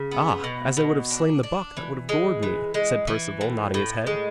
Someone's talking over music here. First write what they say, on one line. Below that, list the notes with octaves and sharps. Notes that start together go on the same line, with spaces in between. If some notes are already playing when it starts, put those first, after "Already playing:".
'Ah, as I would have slain the buck that would have gored me,' said Perceval, nodding his head.
Already playing: C#3
B3
B2
B2
D4
D4
E3
G#3
E3
G#3
E3
A2
A2
G#3